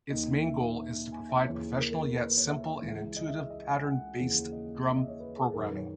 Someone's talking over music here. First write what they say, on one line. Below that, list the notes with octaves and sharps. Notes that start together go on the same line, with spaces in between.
Its main goal is to provide professional yet simple and intuitive pattern-based drum programming.
D#2 D#3 D#5
E5
G#5
E5
D#2 C#3 E3 C#5
A#4
A#4
A#4
A#4
B4
C#5
E5
C#2 C#3 E3
D#5
E5
E5
D#5
G#5
F#5
D#2 C#3 E3
D#5
E5
D#5
C#5
B4
G#4
F#2 D#3 A#4
B4
C#5